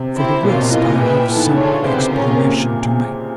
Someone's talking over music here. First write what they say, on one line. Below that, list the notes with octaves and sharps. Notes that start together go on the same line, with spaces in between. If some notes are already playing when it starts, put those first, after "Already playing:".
For the rest I have some explanation to make.
Already playing: C3
C4 E4 G4 C5
B2 A#3 C#4 F4
C3
B2
A2 F4 A#4 D#5
A#2
A#2 G#4 B4 E5 G5
B3 E4 A4
D#3
D3
A3 D4 F4 G#4 C#5
C#3 B3 E4 G4 C5
C3
C#4 F4 A#4
C#3
C3
A#2